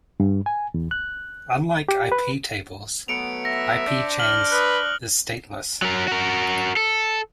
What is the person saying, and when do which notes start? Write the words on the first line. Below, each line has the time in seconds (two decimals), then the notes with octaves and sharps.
Unlike iptables, ipchains is stateless.
0.20 G2
0.46 G#5
0.74 E2
0.91 F#6
1.89 G4
2.12 B4
3.08 F#3 A3 B3 C#7 D7 F7
3.45 E5 A#6
3.87 D4 C5 D5
4.19 F6 F#7 G7
4.52 B4 D#6 F#6
5.82 F#3 A#4
6.08 F#4 A#4
6.77 A4